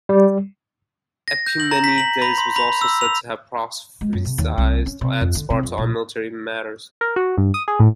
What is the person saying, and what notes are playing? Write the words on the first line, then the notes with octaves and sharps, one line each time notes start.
Epimenides was also said to have prophesied at Sparta on military matters.
G3
A#6
G6
F#7
A#5
B6
F#7
B5
C6
B5
E6
F7
G#3
F#2
C3
D#2
C2
C#4
C3
F2
D3
C3
F2
A#1
A#4
F#4
G2
D#6
G#4
A2